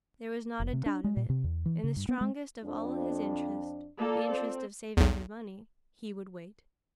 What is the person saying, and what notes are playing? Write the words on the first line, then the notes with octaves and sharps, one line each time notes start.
There was not a doubt of it, in the strongest of all his interests--the interest of saving his money--he would wait.
F1
C3
D4
G#3
A#2
C3
E2
E3
C#3
G2
B3
G#3
F2 D4
A#3 F4 A4 D5
C4
B1 E2